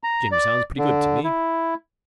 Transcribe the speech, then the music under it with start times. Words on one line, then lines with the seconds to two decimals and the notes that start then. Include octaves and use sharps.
Jim sounds pretty good to me.
0.04 A#5
0.32 D5
0.78 D3
1.24 E4